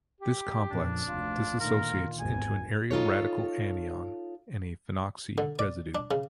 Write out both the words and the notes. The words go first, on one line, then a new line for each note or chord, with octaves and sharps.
This complex dissociates into an aryl radical anion and a phenoxy residue.
G4
F2 A#2 C#3 D4
F1 D2 F4
A#2 D3 D#3 A#4
G#1 E2 G#2 G#5
D#4 F4 A4 C#5
D3
D5
D4
C#3